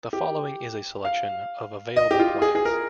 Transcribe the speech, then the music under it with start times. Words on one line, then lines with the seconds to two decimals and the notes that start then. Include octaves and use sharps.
The following is a selection of available plants.
0.13 G4
1.05 F5
1.96 D#5
2.11 G4
2.20 F4
2.42 G#4
2.55 G#4
2.65 A#4